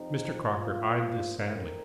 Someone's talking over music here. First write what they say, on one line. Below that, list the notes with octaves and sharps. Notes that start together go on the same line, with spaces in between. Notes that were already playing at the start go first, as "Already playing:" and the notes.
Mr. Crocker eyed this sadly.
Already playing: F2 C3 F3 C4 D#4
G2 F3 A#3 F4
F2 D#3 C4 A#4